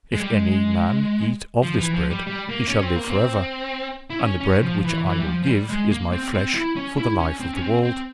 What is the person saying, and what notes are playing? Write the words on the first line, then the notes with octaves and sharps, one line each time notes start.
If any man eat of this bread, he shall live forever; and the bread which I will give is My flesh, for the life of the world....
G#3
G3
G#3
F3
E3
F3
G3
G3
A#3
C#4
C4
A#3
C4
E4
C#4
C#4
F3
E3
E3
G3
F3
F3
G3
G#3
A#3
C4
C4
E4
C#4
E4
C#4
C4
C#4
C4
C4